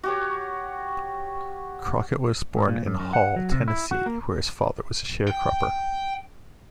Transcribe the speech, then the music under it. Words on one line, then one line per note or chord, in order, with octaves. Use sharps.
Crockett was born in Hall, Tennessee, where his father was a sharecropper.
F#4 G4 C#5
G#2
A#2
F#2
F#2
F#5
F#3
C3
E4
F#4
A#3
G5